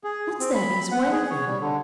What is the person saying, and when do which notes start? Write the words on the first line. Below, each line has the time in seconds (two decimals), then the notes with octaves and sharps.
What's that he's wavin'?
0.04 G#4
0.40 C4
0.55 B5
0.92 F#5
1.12 G#4
1.30 C#5
1.46 G3
1.60 D3